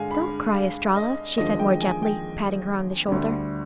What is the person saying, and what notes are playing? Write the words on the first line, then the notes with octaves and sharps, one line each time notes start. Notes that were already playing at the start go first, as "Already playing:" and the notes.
"Don't cry, Estralla," she said more gently, patting her on the shoulder.
Already playing: G2 D3 G#3 F5 G#5
B5
F5
D#5
D#2 D3 F3 G#3 D#5
G5
G#5
G5
D2 D3 G3